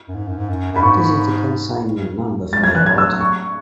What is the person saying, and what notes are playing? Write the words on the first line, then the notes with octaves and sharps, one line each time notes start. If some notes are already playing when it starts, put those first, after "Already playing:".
This is the consignment number for your order.
F#2
G#2
F#2
G#2
F#2
F#2 B5
G#2 C#6
G#3 A6
F#3 G#6
E3 F#6
F#3 G#6
E6
E6
C#6